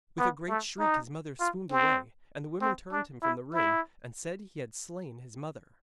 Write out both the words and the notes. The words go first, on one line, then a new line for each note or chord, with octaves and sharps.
With a great shriek his mother swooned away, and the women turned him from the room and said he had slain his mother.
B3
A3
D#4
F4
C4
C4
D4
E4
E4